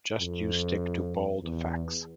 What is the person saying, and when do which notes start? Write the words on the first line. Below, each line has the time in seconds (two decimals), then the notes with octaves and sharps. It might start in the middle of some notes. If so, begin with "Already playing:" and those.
Just you stick to bald facts.
0.20 F2
1.43 E2